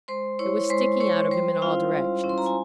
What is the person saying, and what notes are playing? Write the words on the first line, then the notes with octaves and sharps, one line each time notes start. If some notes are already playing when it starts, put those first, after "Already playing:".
It was sticking out of him in all directions.
G#3 C5 C6
E4 C#5 C#6
G#3 C5 C6
E4 C#5 C#6
G3 C5 C6
C#4 E4 F4 F5
G3
C#4 E4
C6
A#5
G#5